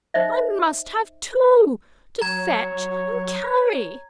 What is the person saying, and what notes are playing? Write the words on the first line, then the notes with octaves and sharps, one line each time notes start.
'I must have Two--to fetch and carry.
D#4 C5 D#5 E5
F#3 C#5 A#5 G#6